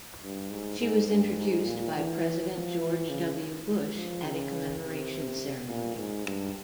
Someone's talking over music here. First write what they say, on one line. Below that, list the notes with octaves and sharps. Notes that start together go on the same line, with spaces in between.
She was introduced by President George W. Bush at a commemoration ceremony.
G2
G#2
G#2
G2
G#2
A#2
E3
F3
E3
C#3
F3
C#3
C3
A#2
G#2
G2